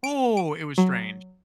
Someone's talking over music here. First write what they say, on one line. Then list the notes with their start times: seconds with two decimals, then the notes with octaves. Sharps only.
Ooh, it was strange.
0.04 D7
0.37 D7
0.78 F#3